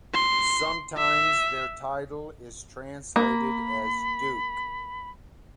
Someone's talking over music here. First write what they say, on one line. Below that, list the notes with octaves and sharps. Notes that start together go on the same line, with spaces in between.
Sometimes their title is translated as duke.
C6
E5
A#3 B5